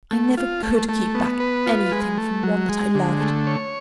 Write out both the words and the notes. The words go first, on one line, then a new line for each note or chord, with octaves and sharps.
I never could keep back anything from one that I loved.
A3
F4
A3
A3
B3
B4
F4
G#3
A3
F#3
G#3
D3
A3
C#5